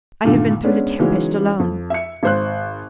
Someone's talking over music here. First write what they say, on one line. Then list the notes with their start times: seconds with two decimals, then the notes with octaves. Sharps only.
I have been through the tempest alone.
0.24 E2 G2 A#2 D3 D#3 A3
0.64 G#3 B3 C#4 D4
0.99 C#3 E3 F#3 G#3 C#4 D#4
1.60 F2
1.90 E5 C#7
2.23 G#1 C5 F#6